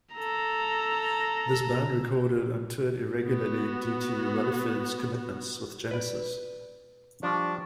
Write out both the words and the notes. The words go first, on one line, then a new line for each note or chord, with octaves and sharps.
This band recorded and toured irregularly due to Rutherford's commitments with Genesis.
A4 A#5
B3 F#4
B4 D5
F3 G3 D4 C#6